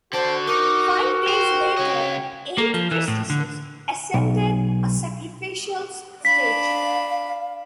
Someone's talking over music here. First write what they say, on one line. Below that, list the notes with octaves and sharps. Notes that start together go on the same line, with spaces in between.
Five days later, eight priestesses ascended a sacrificial stage.
D3 F#4 C5 D5 A5
D#4 A#4 D6
C5 G5
C#3 C#5 D#5
A#3
F3
E3
A2
D3
B1
D4 F5 B5 B6